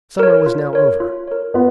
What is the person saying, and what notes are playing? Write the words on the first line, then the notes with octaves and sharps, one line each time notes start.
Summer was now over.
A#4 C#5
F4
A#4 C#5
F4
A#4 C#5
B3 F4